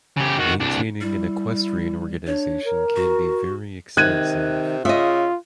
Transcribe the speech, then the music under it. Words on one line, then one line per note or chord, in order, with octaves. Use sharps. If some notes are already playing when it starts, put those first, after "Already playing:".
Maintaining an equestrian organization can be very expensive.
C#3 G4
D#3 F#4
C2 D4
G3 E4
D4 C#5
A#4
F#4
C3 D#3 F#6 G#6 D#7
C#3 F4 D#5 E5